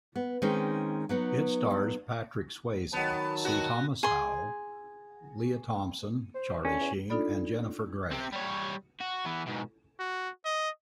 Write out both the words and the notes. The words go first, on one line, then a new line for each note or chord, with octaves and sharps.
It stars Patrick Swayze, C. Thomas Howell, Lea Thompson, Charlie Sheen, and Jennifer Grey.
B3
D#3 G#3 C4 C#4 D#4
F#3 B3 D#4
D#3 F#3 B3 A5
B3 F#4
G#4 C6
C5
D3 C#4
E2
D4 D#4 F4 A4 D5 B5
C4 G4
G3 C#5
F#4
E3 B3
G#2 B2
F#4
D#5